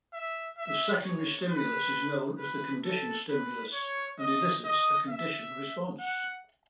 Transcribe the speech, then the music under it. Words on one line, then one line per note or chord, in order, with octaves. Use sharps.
The secondary stimulus is known as the conditioned stimulus and elicits a conditioned response.
E5
E5
C#5
B4
B4
A4
B4
C#5
D#5
D#5
E5
F#5